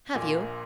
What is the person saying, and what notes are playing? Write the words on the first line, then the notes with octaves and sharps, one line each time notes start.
"Have you?"
A#1 A#2 A#3 G#5